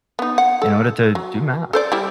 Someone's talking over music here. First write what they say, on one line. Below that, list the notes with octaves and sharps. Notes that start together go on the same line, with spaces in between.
in order to do math.
B3 D#4
F#5
A4
F#3
A4 C5 D5
G3 E4